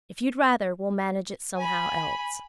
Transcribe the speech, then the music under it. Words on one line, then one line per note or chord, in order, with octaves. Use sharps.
If you'd rather, we'll manage it somehow else.'
G#5 B5